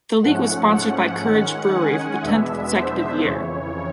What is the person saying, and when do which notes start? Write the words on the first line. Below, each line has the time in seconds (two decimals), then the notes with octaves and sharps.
The league was sponsored by Courage Brewery for the tenth consecutive year.
0.22 G#2 F3 A3 C#4 F#5
0.72 F#5
1.23 D#3 G#3 C#4
1.72 G#5
2.22 E2 B2 G#3 B3 D4 E5
2.72 C5
3.22 F2 C#3 E3 C#5